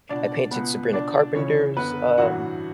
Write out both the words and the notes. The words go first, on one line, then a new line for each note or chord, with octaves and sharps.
I painted Sabrina Carpenter's, um,
C#2 B2 D4 D5
C#2 B2 B3 B4
C#2 B2 D4 D5
C#2 C#3 E3 C#4 C#5
F#1 F#2 D3 B3 B4
A1 G2 E3 F#4 F#5